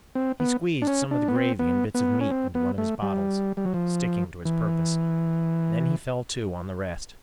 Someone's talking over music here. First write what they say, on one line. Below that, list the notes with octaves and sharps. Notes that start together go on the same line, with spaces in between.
He squeezed some of the gravy and bits of meat into one of his bottles, sticking to his purpose; then he fell to on the rest.
C4
B3
D4
C#4
D4
B3
C4
B3
B3
C#4
C4
B3
A3
G3
G3
F#3
F3
E3